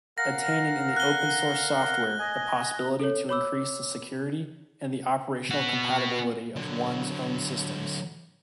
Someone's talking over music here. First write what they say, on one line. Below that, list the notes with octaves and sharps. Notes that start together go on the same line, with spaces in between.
Attaining in the open source software the possibility to increase the security and the operational compatibility of one’s own systems.
A#4 F5 F#5 A#6
F#6 G7
D#5 G#5
A4 C#5
C#5 B5 D6 E6
B3 F#4
D3 F#3